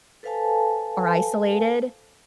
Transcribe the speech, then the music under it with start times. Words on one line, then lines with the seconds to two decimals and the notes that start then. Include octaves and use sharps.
are isolated
0.23 A4 B4 C5 F5 G#5 A5